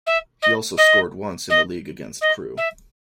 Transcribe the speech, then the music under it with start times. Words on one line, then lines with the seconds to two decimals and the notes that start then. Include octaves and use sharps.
He also scored once in the league against Crewe.
0.06 E5
0.42 D#5
0.77 D#5
1.49 D#5
2.21 D#5
2.57 E5